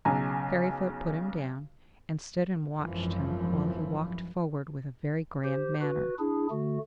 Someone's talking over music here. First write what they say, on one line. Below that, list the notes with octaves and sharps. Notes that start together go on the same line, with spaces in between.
Fairyfoot put him down, and stood and watched him while he walked forward with a very grand manner.
B1 C#3 G#5 A#5
G#1 F#2 E3 F3
G4 C5
F#4 B4
D4 E4 G#4
D3 A3 F#4